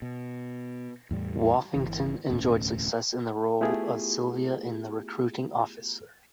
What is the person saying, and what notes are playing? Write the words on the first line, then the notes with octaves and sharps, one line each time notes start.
Woffington enjoyed success in the role of Sylvia in "The Recruiting Officer".
B2
E2 A2 G3
G1 E3
E1 D2 A2 C#4
A3 B3 E4 F4 G4 G#4